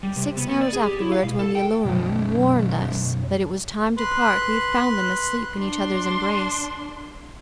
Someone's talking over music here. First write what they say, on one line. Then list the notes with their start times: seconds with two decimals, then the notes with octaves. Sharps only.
Six hours afterwards, when the alarum warned us that it was time to part, we found them asleep in each other's embrace.
0.03 G3
0.16 C3
0.37 B3
0.49 B3
0.61 D5
0.73 G#4
0.86 G4
1.00 E4
1.12 F5
1.23 B2
1.39 A4
1.55 G5
1.85 B1 F#2
3.97 B4 C6 F#6
5.57 D4 C6